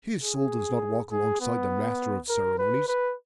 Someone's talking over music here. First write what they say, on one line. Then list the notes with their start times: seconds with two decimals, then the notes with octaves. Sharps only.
His soul does not walk alongside the master of ceremonies.
0.23 G#4
1.11 G#4
1.41 B3
2.29 A#4
2.58 B4
2.88 B4